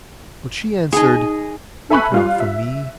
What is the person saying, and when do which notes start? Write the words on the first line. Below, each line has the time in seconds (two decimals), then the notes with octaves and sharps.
But she answered, 'Weep not for me.
0.93 D#4 G#4 D#5 B5
1.90 A4 E5 G#5 B5 C#6 F#6
2.12 G3 F4 F5
2.40 E5